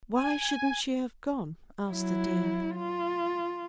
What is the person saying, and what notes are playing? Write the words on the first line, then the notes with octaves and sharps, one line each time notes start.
"Why shouldn't she have gone?" asked the Dean.
G#5
F#3 E4
F4